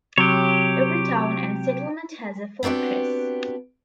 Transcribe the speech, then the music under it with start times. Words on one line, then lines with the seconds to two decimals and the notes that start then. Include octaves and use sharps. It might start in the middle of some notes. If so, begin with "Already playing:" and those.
Every town and settlement has a fortress...
0.18 C3 F#3 G4 C#5
2.63 B3 C4 D4 F#4 G4